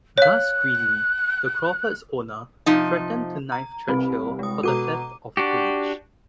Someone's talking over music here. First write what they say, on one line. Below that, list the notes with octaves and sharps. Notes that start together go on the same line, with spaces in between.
Gus Greenlee, the Crawfords' owner, threatened to knife Churchill for the 'theft' of Paige.
C#5 F5 F#6
C3 F3 D#4
A#5
C2 C4 B4 B5
G#3 D#6
B2 A4 A#5 D6 D#7
D4 F#4 G4